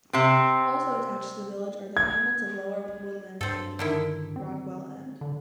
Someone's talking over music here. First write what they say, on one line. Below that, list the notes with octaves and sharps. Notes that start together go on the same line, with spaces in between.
Also attached to the village are the hamlets of Lower Woodend and Rockwell End.
C3 C4
G#6
G2 C4 A4
D3 D#3 E4
C4
D3